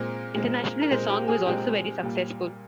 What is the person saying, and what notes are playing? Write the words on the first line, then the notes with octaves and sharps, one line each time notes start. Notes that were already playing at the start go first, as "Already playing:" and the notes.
Internationally, the song was also very successful.
Already playing: A#2 G#3 C4 A#4
A#2 G#3 C4
A#4
A#2 G#3 C4 C5
G4 G5
G#4 G#5
A#2 G#3 C4 G4 G5
A#2 G3 A#3